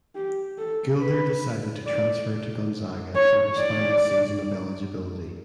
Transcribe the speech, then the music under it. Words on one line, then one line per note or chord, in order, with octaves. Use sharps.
Gilder decided to transfer to Gonzaga for his final season of eligibility.
G4
A4
B4
D5
C#5
D5